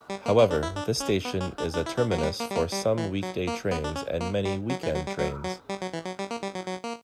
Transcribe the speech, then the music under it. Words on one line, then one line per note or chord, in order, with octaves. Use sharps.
However, this station is a terminus for some weekday trains and many weekend trains.
G3
A#3
B3
D4
E4
D4
C#4
B3
C#4
D4
D4
E4
D4
F#3
A#3
G3
A#3
G3
A#3
G3
E3
F#3
A#3
B3
D4
C#4
A#3
G3
F#3
E3
F#3
G3
F#3
F#3
G3
F#3
E3
F#3
G3
A#3
G3
F#3
F#3
A#3